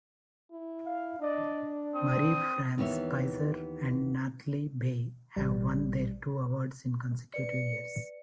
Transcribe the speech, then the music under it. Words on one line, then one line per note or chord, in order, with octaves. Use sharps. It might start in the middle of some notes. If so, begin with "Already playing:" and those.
Marie-France Pisier and Nathalie Baye have won their two awards in consecutive years.
E4
F5
D4 D5 D#5
C4 D#6
D#2 E3 B3 C#5 E5
A1 G3
B4 D5 C#7